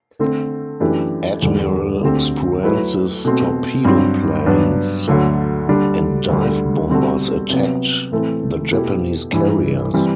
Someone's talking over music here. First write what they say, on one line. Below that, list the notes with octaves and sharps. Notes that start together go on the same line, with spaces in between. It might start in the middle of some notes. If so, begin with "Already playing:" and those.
Admiral Spruance's torpedo planes and dive-bombers attacked the Japanese carriers.
D3 A3 C4
F#2 E3 A3 D4 G4
E2 D3 G3
D2 D3 A3 C4 G4
F#3 A3 E4 B4
B2 A3 C4
G2 F#3 C4
G2 F#3 B3 D4
D2 D3 F#3 A3
D3 G3 D4
D2 D3 G3
B2 G3 C4 F#4 A4
C3 F#3 B3
A2 E3 A3 C4
B2 A3 E4 G4
G2 E3 G3
E3 G3 C4